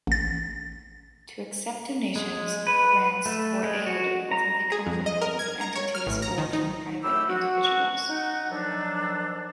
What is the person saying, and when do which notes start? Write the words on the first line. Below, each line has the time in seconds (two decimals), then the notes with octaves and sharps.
To accept donations, grants or aid, whether they come from public entities or from private individuals.
0.07 A1 A6
2.16 G#3
2.67 B4
3.26 A3
3.63 G#3
3.87 F#4
4.31 A#5
4.72 G#4
4.86 F2
5.06 D#5
5.21 A#4
5.39 G#6
5.61 A#5
5.75 C#5
5.95 F6
6.07 A1
6.22 A#5
6.38 D#3
6.53 D#4
7.03 F#2 A3 E4 G4 E6
7.28 F#4
8.09 D#4 F#5
8.50 D#3 F3 F#3 A3 B3 D4